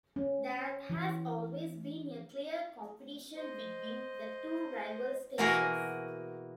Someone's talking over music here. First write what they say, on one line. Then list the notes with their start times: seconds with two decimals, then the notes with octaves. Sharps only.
There has always been a clear competition between the two rival stations.
0.16 C#4
0.90 E3
3.37 C5 D#5
5.38 B2 E3 A#3 F#4 G#4 A#4